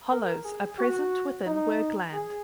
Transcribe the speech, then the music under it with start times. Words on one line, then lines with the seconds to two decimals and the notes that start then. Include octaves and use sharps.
Hollows are present within Wergeland.
0.11 A#4
0.44 G#4
0.79 F#4
1.46 D#4
2.13 G#4